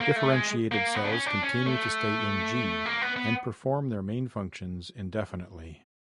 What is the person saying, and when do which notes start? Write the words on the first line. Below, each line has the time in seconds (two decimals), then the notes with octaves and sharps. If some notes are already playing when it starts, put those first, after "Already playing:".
Differentiated cells continue to stay in G and perform their main functions indefinitely.
0.01 A#3
0.16 A3
0.32 G#3
0.72 A#3
0.95 B3
1.04 D4
1.11 C#4
1.26 D4
1.42 C#4
1.66 A3
2.86 A#3
3.01 B3
3.16 B3